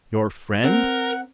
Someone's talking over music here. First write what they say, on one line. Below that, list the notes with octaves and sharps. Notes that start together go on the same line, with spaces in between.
"Your friend?"
C4 A#4 F#5